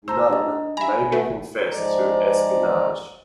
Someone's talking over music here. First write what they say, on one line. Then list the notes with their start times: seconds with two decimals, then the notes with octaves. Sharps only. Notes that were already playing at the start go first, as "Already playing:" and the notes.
Nunn May confessed to espionage.
0.08 C5 A5 A#5 E6
0.30 D4 D#5
0.77 E5 G#5 A#5 B5
1.12 A3 B3
1.70 G#2 F3 G#3 D5 A#5